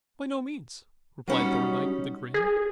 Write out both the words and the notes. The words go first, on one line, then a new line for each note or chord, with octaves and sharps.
"By no means," replied Thorndyke, with a grin.
F#3 G3 C#4 D#4
G#4